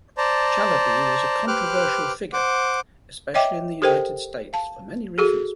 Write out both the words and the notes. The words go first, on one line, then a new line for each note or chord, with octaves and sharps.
Chalabi was a controversial figure, especially in the United States, for many reasons.
C5 D5 A5 A#5
G4 B4 C5 D6 F6 F#6
C5 F#5 D6
C#5 D#5 E5 G5 D6
G4 A4 A#4 C5 D#5 G5
F5 A5
F#4 G#4 A4